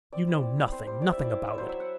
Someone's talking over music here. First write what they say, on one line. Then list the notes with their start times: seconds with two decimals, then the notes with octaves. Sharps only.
You know nothing, nothing about it....
0.13 C4 D5
0.27 E4
0.42 C4
0.57 E4
0.72 C4 C5
0.87 G3 C5
1.02 E4 D5
1.12 E4 E5
1.23 D5
1.32 E4
1.47 E4 E5
1.58 F#3 C5
1.69 E5
1.77 E4 F#5